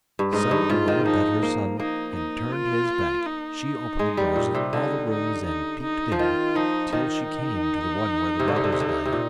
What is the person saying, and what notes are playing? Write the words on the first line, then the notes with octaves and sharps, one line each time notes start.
So the moment that her son had turned his back, she opened the doors of all the rooms, and peeped in, till she came to the one where the robbers lay.
G2
G#2 D#4
G2
G#2 F4
D#3
F3 D#4
A#3
A#3 D#4
D#4
F4
D#4
G#3
G3
A#2
C3
D3 D#4
D#4
D#4
D#4
F3
D#3 F4
F3 D#4
D#3 D#4
C3
D3
C3
D3
C3
D3
C3
C3
A#2